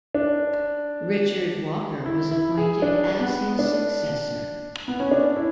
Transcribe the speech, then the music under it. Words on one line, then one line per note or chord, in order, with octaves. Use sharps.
Richard Walker was appointed as his successor.
D4
E4
E4
G#4
D4
B3
D4
B3
C#4
D4
E4